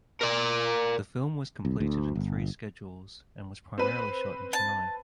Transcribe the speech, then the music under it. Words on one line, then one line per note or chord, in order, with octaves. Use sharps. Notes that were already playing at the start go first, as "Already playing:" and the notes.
The film was completed in three schedules and was primarily shot in Chennai.
A#4 D5
C2
D2
G1
C4 B4
A5